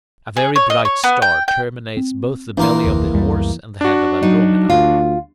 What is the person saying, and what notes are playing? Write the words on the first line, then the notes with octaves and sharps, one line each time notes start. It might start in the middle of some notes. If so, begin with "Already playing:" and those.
A very bright star terminates both the belly of the Horse and the head of Andromeda.
G#4
C#5
D#5
C#5
B3
G5
G5
C4
E2 A#3 D4 C6
F1 D2
C#2 F#2 G3
D4 F#4
F#3 D#4
D2 F4